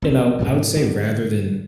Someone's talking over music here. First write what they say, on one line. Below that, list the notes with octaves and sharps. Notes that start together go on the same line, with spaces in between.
you know, I would say rather than
A#1 C4
G#2 C3 F#3
D3